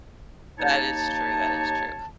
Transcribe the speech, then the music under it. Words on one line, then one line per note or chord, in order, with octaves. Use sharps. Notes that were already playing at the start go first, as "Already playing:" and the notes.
That is true, that is true.
D#2 A#3 D#4 C#5 A5